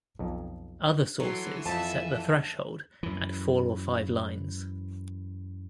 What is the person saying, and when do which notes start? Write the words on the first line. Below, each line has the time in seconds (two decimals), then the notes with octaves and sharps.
Other sources set the threshold at four or five lines.
0.19 B1 F2
1.20 E3 F#3 A4 C6
1.66 F2 E5 A5 B5
3.03 F#2 E3